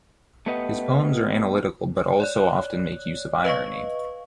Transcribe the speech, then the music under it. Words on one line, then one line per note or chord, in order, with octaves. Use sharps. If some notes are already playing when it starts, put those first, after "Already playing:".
His poems are analytical but also often make use of irony.
A3 B3 G4 B4 D#5 F#5
C#5 D5 F#6
B4 D#5 F5 C#6